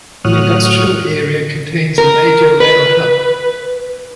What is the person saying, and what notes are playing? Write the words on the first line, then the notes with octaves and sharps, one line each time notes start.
The industrial area contains a major rail hub.
A2 F#3 C#5 D#6 F6 F#6
A#4
B4